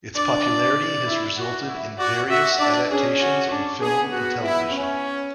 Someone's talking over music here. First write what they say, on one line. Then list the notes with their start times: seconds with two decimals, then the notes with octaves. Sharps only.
Its popularity has resulted in various adaptations on film and television.
0.15 D4 D5
1.07 E4
1.36 F#4
1.67 E4
1.98 F#4 D5
2.28 F#4 E5
2.59 D4 D5
2.89 C#4 G#4
3.20 F#4
3.51 D4
3.81 B3 G#4
4.11 F#4
4.42 E4
4.72 C#4